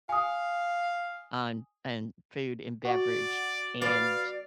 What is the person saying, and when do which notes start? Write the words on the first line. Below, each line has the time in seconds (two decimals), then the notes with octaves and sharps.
on on food and beverage, and
0.09 F5 G#5 D#6
2.85 F#4 D5
3.82 B4 D5 F5